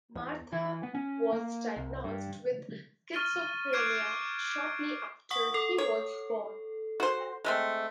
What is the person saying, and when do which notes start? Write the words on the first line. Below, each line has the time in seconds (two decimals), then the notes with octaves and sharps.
Martha was diagnosed with schizophrenia shortly after he was born.
0.15 E2
0.52 E3
0.83 B3
0.95 C#4
1.33 A#3
1.76 C2
2.04 G2
3.13 C#6 F6 A6 A#6 D#7 G7
3.73 C#6 D6 F#6 G#6 C7 D7
5.30 F#5 C#6 D#6
5.54 A4
5.78 C#5
7.00 F#4 C5
7.44 G#3 A3 C4